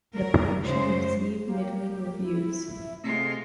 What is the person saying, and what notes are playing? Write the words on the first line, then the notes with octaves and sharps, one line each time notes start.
The production received middling reviews.
F#3 A#4
F#2 C#3 F#3 G#3 C5
A#3 G4
E4
C3 G#3 A3 F4